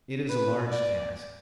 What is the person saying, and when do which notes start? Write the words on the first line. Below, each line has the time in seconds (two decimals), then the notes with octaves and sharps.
It is a large task.
0.29 B4
0.70 D5